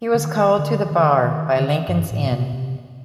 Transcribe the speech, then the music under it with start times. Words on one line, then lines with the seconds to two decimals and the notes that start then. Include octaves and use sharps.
He was called to the Bar by "Lincoln's Inn".
0.14 D3
0.26 D#3
0.59 D3
0.91 D#3
0.98 D3
1.06 D#3
1.24 D#3
1.56 D3
1.88 G2
2.11 A2
2.32 C3
2.53 C3